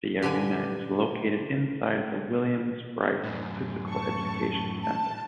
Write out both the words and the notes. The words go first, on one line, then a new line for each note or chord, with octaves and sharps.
The arena is located inside the Williams Brice Physical Education Center.
A#2 D3 G4 B4 G#5
F#2 A2
A5 C#6
A5